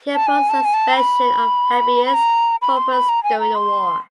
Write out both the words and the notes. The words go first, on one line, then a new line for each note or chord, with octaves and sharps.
He opposed the suspension of habeas corpus during the war.
A5
G#5
A5
G#5
A5
A#5
B5
B5
A#5
B5
C6
B5
A#5
G#5
A#5
C6